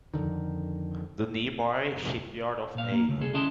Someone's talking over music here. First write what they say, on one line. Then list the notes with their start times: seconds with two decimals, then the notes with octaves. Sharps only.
The nearby shipyard of A.
0.14 F2 B2 D3 D#3
2.75 A#2 F5
2.92 A#3
3.09 C#3 A3
3.21 C2 G#4 A4
3.34 D3 C#4 E4 D#5 A5 C6